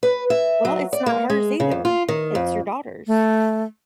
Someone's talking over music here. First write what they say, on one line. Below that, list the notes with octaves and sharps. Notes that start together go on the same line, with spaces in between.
Well, it's not hers either. It's your daughter's.
B4
E5
F#3
D5
A#3
G#3
C#3
F2
F4
D#3
F2
A3